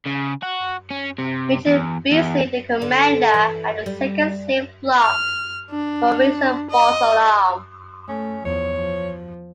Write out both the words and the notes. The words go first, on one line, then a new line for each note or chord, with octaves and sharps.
Major Beasley, the commander, had the second slave flogged for "raising a false alarm".
C#3
F#4
C#4
C3
E2
E2
D3
E3
G3
F6
D4
D#5
A3 C#4
E2 F3 C#5
F3